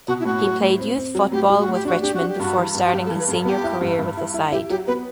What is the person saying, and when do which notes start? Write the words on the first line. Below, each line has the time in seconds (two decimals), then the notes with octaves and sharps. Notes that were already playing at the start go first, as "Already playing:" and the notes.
He played youth football with Richmond before starting his senior career with the side.
0.08 B2 F#4
0.20 E4
0.25 A2 F#4
0.44 F#3
0.61 A2
0.80 C4
0.97 C4
1.15 F#3
1.32 A2 G4
1.50 G3
1.59 F#4
1.68 A2
1.73 G4
1.85 D4 F#4
2.01 D4 G4
2.14 F#4
2.21 D4
2.28 G4
2.39 G2 F#4
2.57 E3
2.74 G2
2.86 F#4
2.92 G2 G4
3.05 A4
3.11 E3
3.19 B4
3.28 G2 A4
3.45 B3 G4
3.64 E4
3.81 G2
3.98 G2
4.17 E4
4.34 E4
4.52 E4 G4
4.70 F#3 G4
4.87 B3 B4